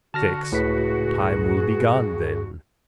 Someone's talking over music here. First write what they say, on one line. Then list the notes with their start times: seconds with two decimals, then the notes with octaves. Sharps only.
Six. Time will be gone then.
0.14 D3 F#4 A5 F6 A#6
0.52 C#2 A2 G#4 B4 B6
1.57 G2